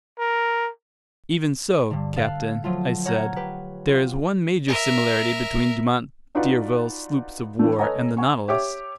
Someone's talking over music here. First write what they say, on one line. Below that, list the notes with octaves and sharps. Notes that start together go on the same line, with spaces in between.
"Even so, captain," I said, "there is one major similarity between Dumont d'Urville's sloops of war and the Nautilus."
A#4
G2 D3
A4 F5 F#6
F3 F#3 A3 F4
C#5 F#5 A#5 F6 G6 G#6
G4 B4
F4 G4
A#4 E5
D4 D#4 F4 F#4 B4 D5
E3 A3
A4 B4 C#5 D#5 G#5 A#5
G#5 C#6
G4 C#5 E5 D6